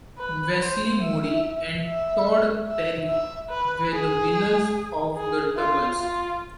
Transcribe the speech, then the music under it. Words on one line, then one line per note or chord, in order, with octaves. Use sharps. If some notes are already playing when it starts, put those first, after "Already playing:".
Wesley Moodie and Todd Perry were the winners of the doubles.
B4
C5
E5
E5
E5
E5
B4
G#4
G#4
F4
F4